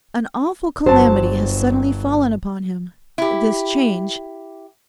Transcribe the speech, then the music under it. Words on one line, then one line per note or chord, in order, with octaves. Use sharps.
An awful calamity has suddenly fallen upon him--this change.
G1 F#3 C5 A5
E4 G4